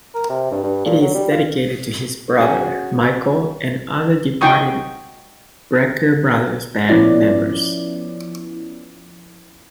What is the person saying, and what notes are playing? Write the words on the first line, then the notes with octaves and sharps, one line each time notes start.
It is dedicated to his brother, Michael, and other departed Brecker Brothers Band members.
A#4
C3
G2
G2
A#2
F#3
G3
F4
C#4 F#4 G#4
D#4 F#4 G5 G#5 C#6 D#6
F3 B3 C#4 E4 D5